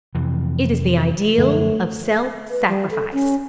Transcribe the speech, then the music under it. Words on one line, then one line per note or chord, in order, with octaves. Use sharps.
It is the ideal of self-sacrifice.
F2 C3 E3
F#2 D3 F3 A3
B4
G3
A4
C#4